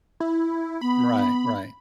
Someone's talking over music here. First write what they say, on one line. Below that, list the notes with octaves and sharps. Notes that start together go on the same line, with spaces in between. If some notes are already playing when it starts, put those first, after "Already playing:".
Right, right.
E4
B3 B5